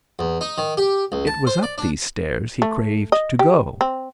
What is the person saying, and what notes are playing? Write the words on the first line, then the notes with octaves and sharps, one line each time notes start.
It was up these stairs he craved to go.
E2
D#4
D#3
G4
C#2
A5
C5
D5
D4
A3
D#5
G4
C4